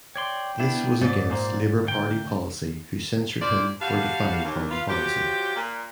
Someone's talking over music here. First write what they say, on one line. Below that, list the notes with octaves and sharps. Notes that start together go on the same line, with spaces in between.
This was against Labour Party policy who censured him for defying party policy.
C#5 D5 G5 C6
B3 D4 E4
G#2 C#4 D5
A#2 G#3 A#3 C5
D2 A#3 G5
C4 E4 F4 C5 D5
G3 D4 F#4 F5
D#2
F4 B4 F5
F3 F#3 G4
A#2